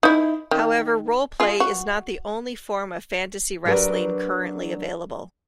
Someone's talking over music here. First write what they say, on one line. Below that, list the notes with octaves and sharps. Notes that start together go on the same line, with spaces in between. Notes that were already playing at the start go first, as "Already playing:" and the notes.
However, roleplay is not the only form of fantasy wrestling currently available.
D#4 E4
D#3
F4 G#4
F#4
F#3 D4 G4 A#4 B4